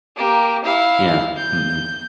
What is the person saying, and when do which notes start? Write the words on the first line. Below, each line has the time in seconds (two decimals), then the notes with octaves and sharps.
Yeah, mhm.
0.16 A#3 G4
0.64 E4 F5
1.37 G6